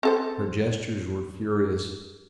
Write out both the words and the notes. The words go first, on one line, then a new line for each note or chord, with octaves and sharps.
Her gestures were furious.
C4 A4 C5